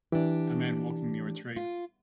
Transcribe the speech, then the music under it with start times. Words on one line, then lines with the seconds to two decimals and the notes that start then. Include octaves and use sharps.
A man walking near a tree.
0.12 E3 D4 G4
1.56 F4